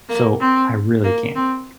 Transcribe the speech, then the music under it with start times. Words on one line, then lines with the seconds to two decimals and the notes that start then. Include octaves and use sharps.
So, I really can't.
0.09 A#3
0.40 C4
1.04 A#3
1.35 C4